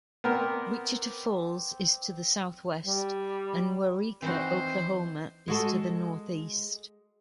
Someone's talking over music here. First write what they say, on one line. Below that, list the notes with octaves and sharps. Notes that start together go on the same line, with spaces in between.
Wichita Falls is to the southwest, and Waurika, Oklahoma, is to the northeast.
B3 C4 A#4 C5 D5
G3
E3 C4 D#4 F#4 C5
G#3 F#4 A4